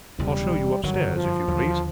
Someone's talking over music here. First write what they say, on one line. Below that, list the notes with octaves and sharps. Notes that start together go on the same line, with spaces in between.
I'll show you upstairs, if you please.'
E1 E2 C#3 G3
G1 F#2 D#3 F#3
F3
D#2 D3 F#3